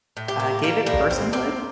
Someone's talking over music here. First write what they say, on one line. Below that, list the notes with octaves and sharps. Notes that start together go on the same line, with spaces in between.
uh, gave it personhood,
A2
G4
A#3
G3 A#3
A2 A#3
A2 C4
A#3 C4